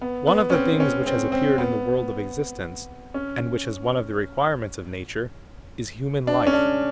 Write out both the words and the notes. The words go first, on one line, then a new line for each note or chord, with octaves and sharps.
One of the things which has appeared in the world of existence, and which is one of the requirements of Nature, is human life.
B3
B3
C#4
C4
C#4
C4
C4
B3
C#4
D4
C#4
D4